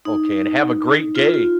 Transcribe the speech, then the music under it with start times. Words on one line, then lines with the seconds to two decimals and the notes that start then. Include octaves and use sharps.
Okay, and have a great day.
0.05 D#4
1.15 F4
1.34 F4